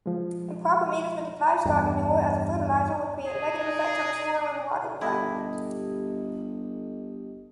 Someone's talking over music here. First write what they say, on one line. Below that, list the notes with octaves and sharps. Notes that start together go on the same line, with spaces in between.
Improper management of livestock manure as a fertilizer would create negative effects on the soil and water environment.
F3 G#3
E2 G2
D#4 G#4 D5
G1 E4 G4 A4 D#5